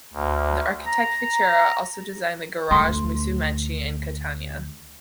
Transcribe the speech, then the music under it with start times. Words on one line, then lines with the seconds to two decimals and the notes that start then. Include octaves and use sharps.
The architect Fichera also designed the Garage Musumeci in Catania.
0.13 D2
0.85 A#5
2.71 D2 A3 C6